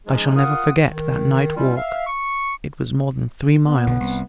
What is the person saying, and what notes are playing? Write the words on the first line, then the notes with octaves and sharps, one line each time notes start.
I shall never forget that night walk; it was more than three miles.
F3 G#3 C#4 D#4 G#4
F4 A#4 F5 F#5 D#6
D#3
B2 G3 C#4 E4 F4
E5 F5
C#6
B3
B1 F#2 D3
C2